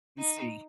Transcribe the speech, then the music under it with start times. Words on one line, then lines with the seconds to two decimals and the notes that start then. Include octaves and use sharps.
you see?
0.18 D#4